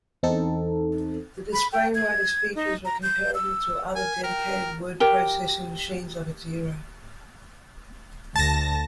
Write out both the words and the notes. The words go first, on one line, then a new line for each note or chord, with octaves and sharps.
The Displaywriter's features were comparable to other dedicated word processing machines of its era.
E2 C4 D#4 A4
B5
G5
G#6
D#4
A#5
G6
E6
A#4 G#5
A#4 G5
G4 A#4
D2 A5 A#6